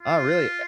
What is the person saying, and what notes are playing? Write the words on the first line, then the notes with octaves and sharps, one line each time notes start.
Oh, really e
F4